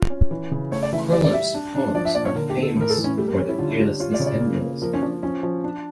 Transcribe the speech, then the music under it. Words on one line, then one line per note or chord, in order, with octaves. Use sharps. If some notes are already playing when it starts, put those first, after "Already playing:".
Choinom's poems are famous for their fearlessness and realism.
Already playing: F4
C#4
E3
C#3
A3 C#5
D5
E3 E5
G3 D5
D5
G4 E5
D4
D4
F3 D5
E5
A#2 D5
C#5
D3 A#4
G4
D3
A4
A2 A#4
A4
E3
C#4
G3 A3
A#3
C#4
E4
D3 F4
E4
F4 G4
F4 C#5
D5
C#3 C#5
D5
A#3
A#3
F3 A#4
C#4
F3 D4
F3 C#4
F3
D4